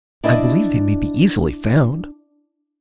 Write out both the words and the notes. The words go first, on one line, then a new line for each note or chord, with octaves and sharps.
I believe they may be easily found.'
D4 E4 D5 D#5